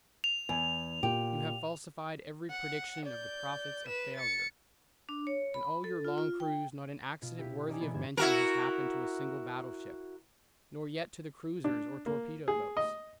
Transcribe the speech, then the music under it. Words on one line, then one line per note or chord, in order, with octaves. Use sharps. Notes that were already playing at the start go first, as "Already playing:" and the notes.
You have falsified every prediction of the prophets of failure. In all your long cruise not an accident worthy of mention has happened to a single battleship, nor yet to the cruisers or torpedo boats.
F7
E2 G#5
A#2 G4
F#5
D5 G6
B4 E7
A6 C#7
D4
C#5
B5
A4
F4
F4
G5
B2 F4
E4 G4 B6
C#4 D#4 A#4 D5 G#5
B2 E3 A#3 B3
G1 D3 B3 G#6 E7
E4 F#4 A#4
D4
A#3
G#4
D#5